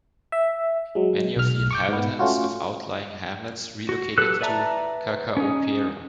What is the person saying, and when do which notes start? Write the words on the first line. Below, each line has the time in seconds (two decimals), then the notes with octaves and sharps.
Many of the inhabitants of outlying hamlets relocated to Cacaopera.
0.32 E5
0.95 F#3 G#3
1.37 B1 F6
1.71 C#6 D6 G6
1.89 G#2 B3
2.19 A3 C#4 F4 F#4
3.89 F#4
4.18 F#3 G4 A4 B4 F#6
4.41 B4 D5 E5 A5 A#5
5.37 C#4 D#4